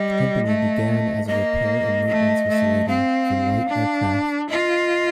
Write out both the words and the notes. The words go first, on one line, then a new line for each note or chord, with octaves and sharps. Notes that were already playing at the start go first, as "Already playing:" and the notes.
The company began as a repair and maintenance facility for light aircraft.
Already playing: G3 D#5
A3
A#3 D#5
A3
A3
C4 F5
D4
F4 D#5